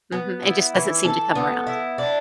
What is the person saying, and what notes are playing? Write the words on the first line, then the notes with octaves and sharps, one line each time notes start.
Mhm, it just doesn't seem to come around.
B3
E4
E3
A4
B3
E4
D4